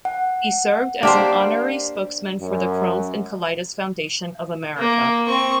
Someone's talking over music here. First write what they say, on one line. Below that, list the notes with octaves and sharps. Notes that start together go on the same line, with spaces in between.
He served as an honorary spokesman for the Crohn's and Colitis Foundation of America.
F#5
A#3 D4 G4 C5
F#2
A#3
C4 C#6